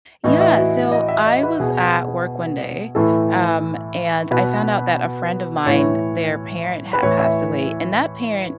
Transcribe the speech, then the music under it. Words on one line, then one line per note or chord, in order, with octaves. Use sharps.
Yeah, so I was at work one day, um, and I found out that a friend of mine, their parent had passed away, and that parent
A2 E3 D#4
D#4
E4
F#4
D#5
E5
D#5
B4
B2 G#4
A2 E3 A4
B2 B4
A2 E3 C#5
B4
A2 E3 C#5
E5